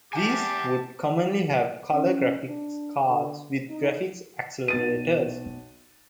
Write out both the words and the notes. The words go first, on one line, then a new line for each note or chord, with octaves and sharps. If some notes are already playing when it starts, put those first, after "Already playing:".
These would commonly have color graphics cards with graphics accelerators.
G4 E5 F#5 G#5 A5 D6
C#4
D4
D3
D#4
B1 A6 D#7